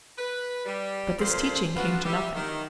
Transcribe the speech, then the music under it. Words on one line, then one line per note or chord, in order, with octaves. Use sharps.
But this teaching came to nothing.
B4
G3
F2 A#2 C5
B3 D4 F4 F#4 B4 C5
G3 G4 E5
D#3